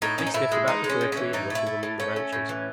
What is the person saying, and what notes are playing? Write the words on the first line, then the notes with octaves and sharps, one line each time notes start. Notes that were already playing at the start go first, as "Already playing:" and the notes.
They snuffed about the Fir Tree, and rustled among the branches.
A2 D#4
A2 C#4
D#4
A2 E4
G#3
E3 D#4
G#3
C#4
A2
E3 C#4
A2 D#4
A3 E4
A3
A2
A3 C#4
A3
A2
E3